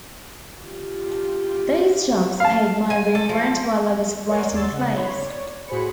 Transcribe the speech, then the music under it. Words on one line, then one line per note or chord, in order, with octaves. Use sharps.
These jobs paid my room rent while I was writing plays.
F4 G4
F5 A5
G#5
A4
F3
A#4 C#5 D5 F#5 G#5 C6
D#2 C#5 D5 C6 E6 A6
C#3 F#5
C#5 B5 C6
C#5 D5
A2 F#4 G#4 C5 B5 C#7